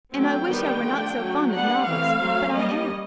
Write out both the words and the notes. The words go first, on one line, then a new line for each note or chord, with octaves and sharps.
And I wish I were not so fond of novels; but I am.
F#3 A3 C4 G5
D#3 G3 B3 D4
F3 A3 D4
F#3 A3 C#4
G3 B3 D4 F#5
E3 A3 C4 F5
F#3 A3 C4
G3 A#3 C#4 D#5